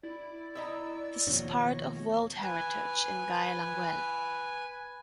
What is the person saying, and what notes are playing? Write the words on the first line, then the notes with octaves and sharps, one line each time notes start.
This is part of World Heritage in Gaelanguel.
E4 D5
E4 D#5 A#5 E6
D#2 B2 F3 C#5 A#6
B4 G#5